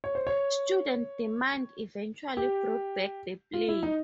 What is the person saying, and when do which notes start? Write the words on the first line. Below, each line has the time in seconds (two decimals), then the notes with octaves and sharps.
Student demand eventually brought back the play.
0.04 C#5
0.15 C5
0.27 C#5
2.37 G4
3.53 F4
3.68 E4
3.83 D#4